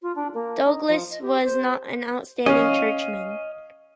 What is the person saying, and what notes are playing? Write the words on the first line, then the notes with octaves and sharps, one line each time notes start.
Douglas was not an outstanding churchman.
F4
D4
A#3
D#4
F3
D#5
G4
C5
C#4 D#5 F5